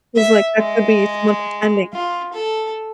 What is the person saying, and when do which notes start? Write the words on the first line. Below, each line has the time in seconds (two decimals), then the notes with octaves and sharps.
'Cause like that could be someone pretending.
0.16 E5
0.57 G#3
1.93 F4
2.33 A4